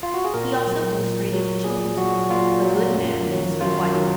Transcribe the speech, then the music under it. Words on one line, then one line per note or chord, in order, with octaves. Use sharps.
He also illustrated a children's book "A Good Man and His Good Wife".
F4
F#4
G#4
A#2 A#4
F#3
A#2
F#3
A#2 G#4
F#3 F#4
A#2 F4
F#3
F#2
D#3 F#3
F#2 F4
D#3 F#3